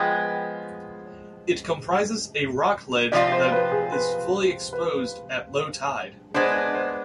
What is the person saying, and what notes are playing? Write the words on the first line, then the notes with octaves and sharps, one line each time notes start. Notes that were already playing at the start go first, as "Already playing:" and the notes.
It comprises a rock ledge that is fully exposed at low tide.
Already playing: F3 G#3 B3 G5
C3 F3 C4 F4 D5
C5
B4
G#4
B4
B4
G#3 B3 D4 C5
C5